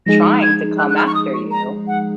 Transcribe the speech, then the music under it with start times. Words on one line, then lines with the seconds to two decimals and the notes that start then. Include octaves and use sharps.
trying to come after you.
0.06 F3 G#3 D#4 G#4 A#6
0.43 G#6
0.79 F#6
0.90 F#6
0.97 F6
1.07 C#6
1.15 D#6
1.34 C#6
1.51 A#5
1.88 F#5